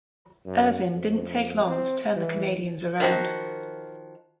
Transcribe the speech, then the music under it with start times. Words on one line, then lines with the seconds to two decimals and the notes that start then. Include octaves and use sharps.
Irvin didn't take long to turn the Canadiens around.
0.46 F#2
0.90 F2
1.66 C4
2.16 E3
3.00 D#3 F3 F#4